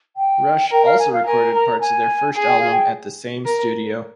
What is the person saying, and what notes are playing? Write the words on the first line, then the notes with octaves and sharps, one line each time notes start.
Rush also recorded parts of their first album at the same studio.
G5
A#4 G5
F5
G#5
F5
A#4 G#5
A#5
G#5
G#4 G#5
G5
F5
G5
A#4